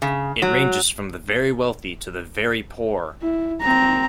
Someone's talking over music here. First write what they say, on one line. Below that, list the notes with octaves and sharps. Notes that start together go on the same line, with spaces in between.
It ranges from the very wealthy to the very poor.
C#3
F#3
E4
C4 A#5